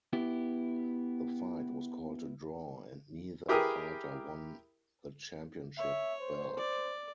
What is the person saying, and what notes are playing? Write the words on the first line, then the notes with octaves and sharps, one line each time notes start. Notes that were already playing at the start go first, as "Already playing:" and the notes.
The fight was called a draw and neither fighter won the championship belt.
B3 E4 G4
E4 G4 G#4 A#4 B4 D#6
C#5 E5
C5
D5